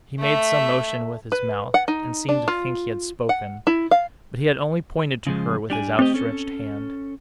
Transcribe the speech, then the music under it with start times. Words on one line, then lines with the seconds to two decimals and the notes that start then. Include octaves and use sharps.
He made some motion with his mouth, and seemed to think he had spoken; but he had only pointed to her with his outstretched hand.
0.19 A3 E5
1.32 B4
1.74 F#5
1.88 D#4
2.29 D4
2.48 F4
3.29 F#5
3.67 E4
3.91 F5
5.27 C#3 F3 G#3
5.70 G3 D4 G#5
5.99 A3 C4 G4 D#5
6.14 C#4 A4